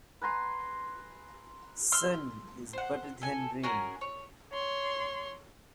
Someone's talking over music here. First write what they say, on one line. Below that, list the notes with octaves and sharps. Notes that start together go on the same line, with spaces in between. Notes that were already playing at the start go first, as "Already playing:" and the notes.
Sun is better than rain.
B4 G#5 A#5 C6
C6 E6 F6
C5 F#5
A4 G#5
C#4 F#4 G#4 A#4
C#5
C#5 C6